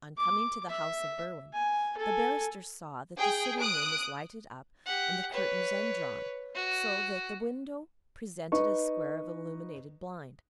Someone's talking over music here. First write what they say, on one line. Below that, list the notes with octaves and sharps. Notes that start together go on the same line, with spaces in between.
On coming to the house of Berwin, the barrister saw that the sitting-room was lighted up and the curtains undrawn, so that the window presented a square of illuminated blind.
D6
E5
G#5
A4 G#5
G#4 G5
D#6 F#6 D7
G4 F#5
B4 C#5
F#4
D#4 B4 D#5 C#6